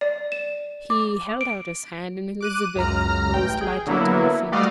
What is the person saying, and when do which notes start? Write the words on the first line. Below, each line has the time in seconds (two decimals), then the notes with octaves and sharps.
He held out his hand and Elizabeth rose lightly to her feet.
0.01 D5
0.32 E7
0.90 D6
1.41 D7
2.41 D6 F#6 D#7
2.76 C#2 F#2 A#5 F6
3.33 A1 G5
3.61 G#4
3.87 D3 F#3 A#3 B3 E4
4.52 G3 A3 F#4 D5 D#5 F5